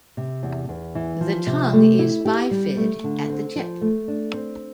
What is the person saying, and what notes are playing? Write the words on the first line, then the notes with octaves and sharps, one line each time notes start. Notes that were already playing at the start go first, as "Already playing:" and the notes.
The tongue is bifid at the tip.
C3
E2
E2
E3
F3
C3
A3
E4
G4
G3
A3
D3
C4
F3
A3
D4
C4